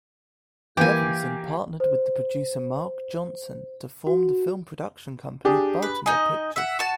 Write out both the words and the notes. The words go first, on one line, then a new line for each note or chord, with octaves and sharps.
Levinson partnered with producer Mark Johnson to form the film production company Baltimore Pictures.
E3 A#3 G4 G#5
C5
F#4
D4 G4 G#4
B4
D#4 D#5 G#5
E5 F#5
F#4 A5